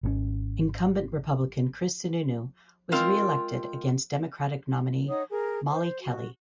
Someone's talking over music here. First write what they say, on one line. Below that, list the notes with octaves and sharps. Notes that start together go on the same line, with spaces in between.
Incumbent Republican Chris Sununu was reelected against Democratic nominee Molly Kelly.
G#1 B2 C#4
G#3 C4 F4 A#4
D#4 C#5 F#5 D#6
G#4 A#4
C5
F#4